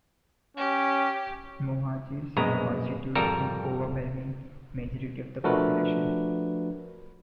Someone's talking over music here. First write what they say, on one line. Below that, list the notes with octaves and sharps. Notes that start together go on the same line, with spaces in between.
Muhajirs constitute an overwhelming majority of the population.
C#4 G4
A#1 F#2 B2 G#3 A#5
G#1 F2 G3 A4 A#4 A#5
F3 A3 D4 F#4 A#4 B4